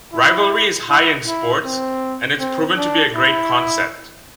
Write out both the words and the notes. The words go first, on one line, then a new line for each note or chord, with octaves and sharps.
Rivalry is high in sports and its proven to be a great concept.
E4
E4
E4
C4
C4
D4
E4